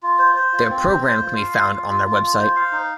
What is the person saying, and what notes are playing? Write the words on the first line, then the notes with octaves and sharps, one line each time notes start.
Their program can be found on their website.
F4
C5
C5
F4
C4
C5
C5
F4
F5
F4
F4
F4
F4
F4
C5
F5
D#4